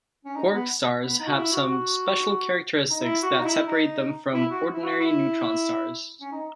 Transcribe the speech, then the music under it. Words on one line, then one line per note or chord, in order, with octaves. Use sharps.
Quark stars have some special characteristics that separate them from ordinary neutron stars.
C#4
D#4
B3
B3
D#4
F#4
E4
F#4
F#4
D#4
E4
F#4
D#4
E4
D#4
E4
F#4
E4
F#4
E4
C#4
D#4